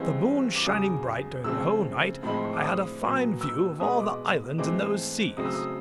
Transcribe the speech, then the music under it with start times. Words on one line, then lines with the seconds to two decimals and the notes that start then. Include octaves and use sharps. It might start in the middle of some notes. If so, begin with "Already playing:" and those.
The moon shining bright during the whole night, I had a fine view of all the islands in those seas.
Already playing: G2 E3 G#3 C4 E6
0.55 D6
0.66 E2 C#3 F#3 D#6
1.44 C#3 F3 A3 C4 E6
2.23 A2 F3 G#3 C4 B5
2.35 C6
2.44 C#6
2.53 D6
2.62 D#6
3.02 A#2 F#3 B3
3.41 E6
3.80 B2 G#3 B3 D#6
4.00 D6
4.58 G#2 E3 A3 C4 D6
5.37 C#3 F#3 A3 C4 D#6
5.45 E6
5.54 D#6